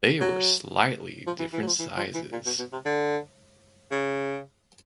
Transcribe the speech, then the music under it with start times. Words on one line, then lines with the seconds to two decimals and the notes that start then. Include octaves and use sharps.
They were slightly different sizes.
0.21 F#3
1.27 F3
1.40 E3
1.53 E3
1.63 F#3
1.67 F3
1.79 E3
1.97 F3
2.15 E3
2.32 A#2
2.46 B2
2.59 B2
2.73 C3
2.85 D3
3.91 C#3